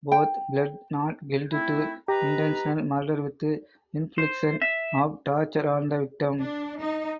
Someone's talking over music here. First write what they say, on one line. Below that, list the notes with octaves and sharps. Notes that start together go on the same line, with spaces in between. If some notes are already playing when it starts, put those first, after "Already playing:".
Both pled not guilty to intentional murder with infliction of torture on the victim.
G5
A3 C4 E4
G4 B4 D#5 A#5
C5
E5
D4
D#4